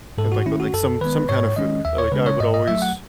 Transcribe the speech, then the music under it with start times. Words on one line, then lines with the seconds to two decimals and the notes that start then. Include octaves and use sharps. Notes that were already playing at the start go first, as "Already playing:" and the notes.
and, like like, some some kind of food. Like I would always
0.18 G#2 A4
0.32 F#4
0.46 D#3 A3 C#4 E4
0.60 F#4
0.73 F#2 A4
1.01 D#3 G#3 B3 B4
1.29 G#2 C#5
1.56 D#3 G#3 C#4 D#5
1.85 D#2 E5
1.98 C#5
2.12 C#3 G#3 C#4 B4
2.26 C#5
2.40 G#2 D#5
2.54 D#5
2.68 F#3 A3 E5
2.82 F#5